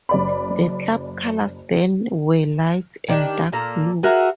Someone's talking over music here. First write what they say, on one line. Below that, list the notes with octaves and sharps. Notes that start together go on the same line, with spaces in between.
The Club colours then were Light and Dark Blue!
F#1 D5 B5
D#3 D4 G4
A#2 A#3 A4 A#5
F#4 G#4 A#4 E5